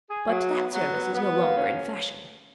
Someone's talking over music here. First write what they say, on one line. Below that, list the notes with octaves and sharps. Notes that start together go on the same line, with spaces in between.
But that service is no longer in fashion.
G#4
F#3
B3
F#3
B3
B3
A#3
C#4